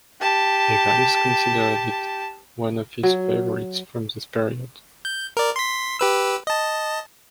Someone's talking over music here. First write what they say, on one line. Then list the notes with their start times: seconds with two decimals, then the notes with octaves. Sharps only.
Evans considered it one of his favorites from this period.
0.21 G4 A5
3.03 F#3
5.05 G6
5.37 A#4 D5
5.56 C6 B6
5.99 G4 B4 E6
6.47 D#5 A5